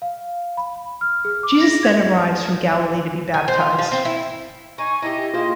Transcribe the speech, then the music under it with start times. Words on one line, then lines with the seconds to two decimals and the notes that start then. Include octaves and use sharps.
Jesus then arrives from Galilee to be baptized.
0.02 F5
0.57 B5
1.01 F6
1.25 G#4
1.43 D6
1.61 A#6
1.83 G#6
3.34 G#5
3.48 C5
3.60 F4
3.79 F3
3.91 C4
4.05 E4
4.78 D#4 G#5 C#6
5.02 D#4 E4 G4 D#5
5.34 A#3 F4 G#4 C5